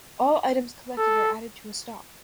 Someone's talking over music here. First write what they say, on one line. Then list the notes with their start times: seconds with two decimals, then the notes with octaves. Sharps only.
All items collected are added to a stock.
0.98 A4